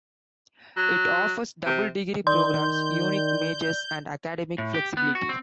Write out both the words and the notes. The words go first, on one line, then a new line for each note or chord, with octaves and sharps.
It offers double degree programs, unique majors, and academic flexibility.
F#3
C3
D#3 D5 C6 G6
A2
G4
B3
F#4
C4